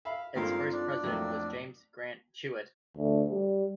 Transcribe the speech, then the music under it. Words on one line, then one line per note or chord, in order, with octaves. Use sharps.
Its first president was James Grant Chewett.
E5 F5 B5
G2 D#3 G#3 C4 F4 A4 A#4 F5
D4 D5
F2 A2 F#3 A#3 G5
D2
G3